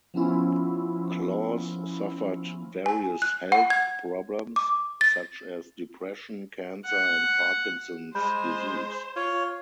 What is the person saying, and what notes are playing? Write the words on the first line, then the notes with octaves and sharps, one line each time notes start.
Claus suffered various health problems, such as depression, cancer and Parkinson's disease.
F3 B3 C#4 E4 F4
G#5
F#6
F#5
G#6
D6
A6
F#5
G#3 C5 B5 G6
F4 C#5